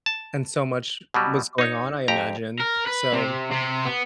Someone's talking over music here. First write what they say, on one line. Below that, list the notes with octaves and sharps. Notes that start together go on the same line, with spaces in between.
and so much was going on, I imagine, so,
A5
B2 F#3 G3
D#4 C#5
F2 G4 A#5
A#4
B4
C3
C3
B3